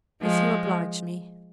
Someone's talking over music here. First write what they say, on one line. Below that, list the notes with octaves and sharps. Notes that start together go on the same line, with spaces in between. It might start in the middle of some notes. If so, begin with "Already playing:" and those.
"If you oblige me."
F3 G#3